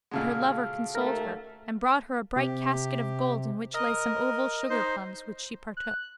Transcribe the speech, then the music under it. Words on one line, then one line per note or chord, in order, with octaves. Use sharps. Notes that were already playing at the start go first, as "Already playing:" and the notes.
But her lover consoled her and brought her a bright casket of gold in which lay some oval sugarplums which she partook.
A#2 C#3 G#3 F#4 A4 F5
D#2 A3 A#4
C3 G4
A#4 D#5
D#4 C5
F#6